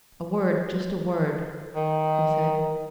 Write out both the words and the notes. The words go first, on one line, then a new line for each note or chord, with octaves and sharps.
"A word--just a word!" he said.
D#3